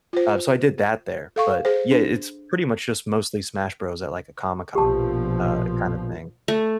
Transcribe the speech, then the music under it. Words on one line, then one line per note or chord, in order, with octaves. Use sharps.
um, so I did that there, but, yeah, it's pretty much just mostly Smash Bros. at, like, a Comic Con, uh, kinda thing.
F4 C5
A4 F5 C#6
G#4 C5
D4
A#1 B2 F3 G4 A5
A3